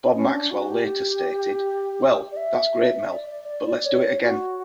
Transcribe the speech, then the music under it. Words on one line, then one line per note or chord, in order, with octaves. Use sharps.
Bob Maxwell later stated, Well, that's great, Mel, but let's do it again.
C#4
D4
F#4
G4
D5
E5
D5
D5
D5
D5
C#5
F#4